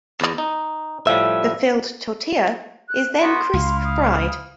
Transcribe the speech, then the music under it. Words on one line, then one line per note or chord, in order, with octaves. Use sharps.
The filled tortilla is then crisp-fried.
E2
D#4
A2 F3 G3 E5
F#6
A3 B3 F#4 C6
C#2 E4 F5
D#6